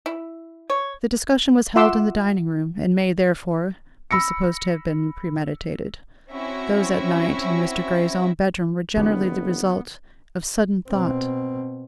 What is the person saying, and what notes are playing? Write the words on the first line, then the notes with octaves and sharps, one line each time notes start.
The discussion was held in the dining-room, and may, therefore, be supposed to have been premeditated. Those at night in Mr. Grey's own bedroom were generally the result of sudden thought.
E4
C#5
F4 E5 F#5 C6 D6 E6
B5 E6 A#6 C#7
C4 C#4 E4 F#4 E5 A#6
F#1 D3 E3 B3 D4 G4
B2 C4